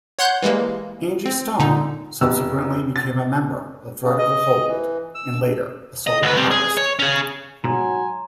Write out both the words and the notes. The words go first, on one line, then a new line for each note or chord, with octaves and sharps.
Angie Stone subsequently became a member of Vertical Hold and later a solo artist.
C#5 F#5 C6 F#6 G6
E3 G3 G#3 A#3
C4
A#2 D3 D#4
F1 E6
A6
C#3
D#5
E3
E6
D#5
D2 B4
G3 C4
G#4
C#5
C#4 G#4
G#2 B2 F#3 G#5 A#5 C6